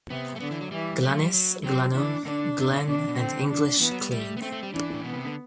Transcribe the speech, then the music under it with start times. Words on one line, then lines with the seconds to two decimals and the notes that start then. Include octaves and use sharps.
Glanis, Glanum, Glen and English "clean".
0.10 C3 B3
0.36 A3
0.40 D3 B3
0.51 E3
0.61 F#3
0.72 E3 G3
1.03 F#3 A3
1.14 A3
1.23 G3
1.34 F#3
1.64 F#3 C4
1.95 E3 D4
2.26 D3 D4
2.58 C3
2.68 B2
2.78 D3
2.88 B2 D4
2.98 C3
3.08 B2
3.18 D3 C4
3.50 D4
3.80 E3 B3
3.91 F#3
4.01 G3
4.11 G3 A3
4.37 B3
4.42 A3 C4
4.52 A3
4.63 G3
4.73 E3 D4
4.94 A2
5.04 B2 B3
5.14 C3
5.25 D3